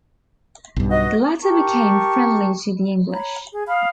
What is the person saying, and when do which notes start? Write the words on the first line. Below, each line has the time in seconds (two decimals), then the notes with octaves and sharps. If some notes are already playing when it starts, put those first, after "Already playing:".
The latter became friendly to the English.
0.76 B1 G2
0.91 F#4 B4 D#5
1.43 G4 A#4 A5 C#6
3.12 C#5 A#5 B5
3.53 G#4
3.68 F5 B5 D#6 F6